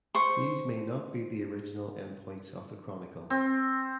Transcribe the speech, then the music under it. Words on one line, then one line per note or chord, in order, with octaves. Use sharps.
These may not be the original end points of the chronicle.
C5 C#6
C4